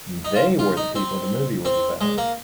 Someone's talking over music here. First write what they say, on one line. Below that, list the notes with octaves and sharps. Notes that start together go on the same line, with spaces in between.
They were the people the movie was about.
D#4
F4
F4
D#4
C4
C4
G#3
A#3